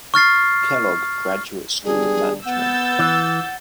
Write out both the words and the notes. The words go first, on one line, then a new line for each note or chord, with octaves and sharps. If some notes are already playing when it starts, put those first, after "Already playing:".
Kellogg Graduate School of Management.
C#6 F6 A6 C7
G3 B3 D4 G#4
B3 F#5 E6 G6 A6
E3